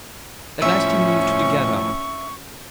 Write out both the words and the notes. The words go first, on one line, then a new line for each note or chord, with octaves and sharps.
At last he moved to get up.
A2 F3 C#4 E5 C#6